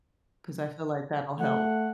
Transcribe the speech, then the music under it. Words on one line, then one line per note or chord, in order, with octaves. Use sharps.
'Cause I feel like that'll help.
A3 F#5